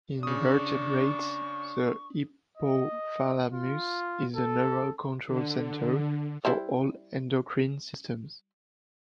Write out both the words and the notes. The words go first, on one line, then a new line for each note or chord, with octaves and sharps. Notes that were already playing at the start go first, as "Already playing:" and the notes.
In vertebrates, the hypothalamus is the neural control center for all endocrine systems.
C#3 D4 C#6 D#6
D#5
F4
A4
D3
G3 E4 C5